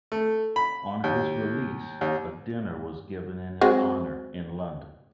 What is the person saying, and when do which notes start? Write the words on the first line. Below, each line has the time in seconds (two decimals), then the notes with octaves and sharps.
On his release a dinner was given in his honour in London.
0.12 A3
0.56 B5
1.04 D#2
2.01 D#2
3.61 F#3 G#3 C4